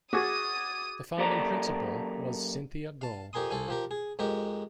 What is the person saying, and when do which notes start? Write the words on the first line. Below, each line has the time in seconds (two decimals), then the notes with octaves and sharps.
The founding Principal was Cynthia Goh.
0.13 F#4 G#4 D6 D#6 G#6 A6 D#7
1.18 F#2 A#3 G4 A4 D5 A#5
3.01 F5 A5
3.33 F2 G4 A#4 G#5 C6 D#6
3.51 C2 A4 F5 G#5
3.68 F3 G4 A#4
3.91 G#4
4.19 F2 G#3 G4 A#4